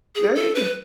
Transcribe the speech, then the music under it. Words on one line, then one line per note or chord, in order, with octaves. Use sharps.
There you g
G#4
A4
B4